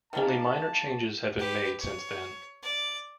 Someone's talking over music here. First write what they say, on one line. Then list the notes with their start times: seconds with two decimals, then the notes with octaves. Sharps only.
Only minor changes have been made since then.
0.13 D#3 G3 A#3 A5
1.39 G4 B4
1.80 C#5
2.63 D5